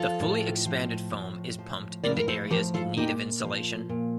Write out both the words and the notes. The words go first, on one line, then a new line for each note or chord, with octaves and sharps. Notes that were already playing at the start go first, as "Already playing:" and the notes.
The fully expanded foam is pumped into areas in need of insulation.
Already playing: F3 F4 A4
A2
F3
A2
F3
A2 A#4 D5
A#4
A4 C5
F3 G4 A#4
F4 A4
A#2 D#4 G4
F3
A#2